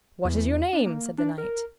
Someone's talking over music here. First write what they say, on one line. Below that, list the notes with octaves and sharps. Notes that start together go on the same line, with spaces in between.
What is your name? said the knight.
E2
D4
A#3
D4
A#4